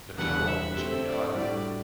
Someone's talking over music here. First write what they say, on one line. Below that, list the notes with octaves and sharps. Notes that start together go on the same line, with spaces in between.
The tower was made high.
E2 B2 G3 B3 D4 F#5
E5
D3 A3 C4 G4
D5
A2 G3 D4 F#4 D5